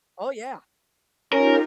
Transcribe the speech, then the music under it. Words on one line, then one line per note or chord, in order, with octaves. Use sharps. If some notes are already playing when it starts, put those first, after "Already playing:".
Oh, yeah.
C#4 D#4 F4 G4 A#4